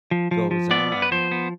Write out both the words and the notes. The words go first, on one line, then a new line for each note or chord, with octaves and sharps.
goes on,
F3
F3
F3
B3 D5
B3
B4
F3 C5
B3